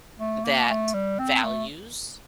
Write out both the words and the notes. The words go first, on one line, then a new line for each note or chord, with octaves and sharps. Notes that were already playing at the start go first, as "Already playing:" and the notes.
that values
A3
A#3
A3
G3
C4
A3